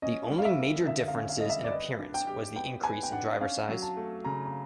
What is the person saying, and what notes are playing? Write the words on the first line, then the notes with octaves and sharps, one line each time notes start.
The only major difference in appearance was the increase in driver size.
C#4 D#5
G3
F5
E5
A#3
D3 E5
F5
C#4
F5
G3 D#5
E5
D5
B4 D#5
D4
G5
G4
B3 G5
B4 G#5
G5
D4 F#5
C#4 F5
F#3
A5
A3
C#3 A#5
A#5